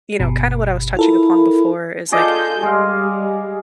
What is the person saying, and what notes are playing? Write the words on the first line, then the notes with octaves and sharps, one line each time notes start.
you know, kinda what I was touching upon before is, like,
G1 B2
E4 F4 A4 A#4
F4 G#4 A4 D5 D#5 G6
G3 G#3 F5